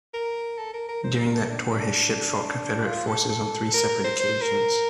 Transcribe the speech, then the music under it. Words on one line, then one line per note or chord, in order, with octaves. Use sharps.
During that tour, his ship fought Confederate forces on three separate occasions.
A#4
A4
A#4
A#4
C5
A#4
A4
D4
D4
F4
A4
A4
A#4
A#4
C5
C5
A#4